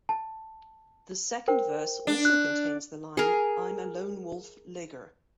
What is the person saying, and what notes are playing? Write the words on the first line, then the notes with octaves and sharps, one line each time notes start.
The second verse also contains the line, "I'm a lone-wolf ligger".
A5
A#4 C5 G5
D4
F#6
G#4 A#4